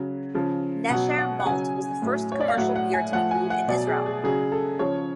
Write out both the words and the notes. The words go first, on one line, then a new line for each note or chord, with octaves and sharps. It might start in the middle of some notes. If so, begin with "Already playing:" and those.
Nesher Malt was the first commercial beer to be brewed in Israel.
Already playing: C#3 F#3
C#3 F3
B2 F#3 F#5
F#5
F#5
C#3 F#3 G#5
A2 F#3
C#5
D5
F5
A2 F#3 F#5
F#5
G#5
A2 F3 F#5
G#5
F#5
B2 F#3 D5
G#4
G#4
C#3 F#3 G#4
A4
C#3 F3 C#5